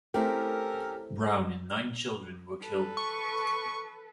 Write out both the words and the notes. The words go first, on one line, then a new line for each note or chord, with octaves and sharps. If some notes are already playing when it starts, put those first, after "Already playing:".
Brown and nine children were killed.
A3 C4 C#4 E4 G4 A4 A#4
A4 B4
C#6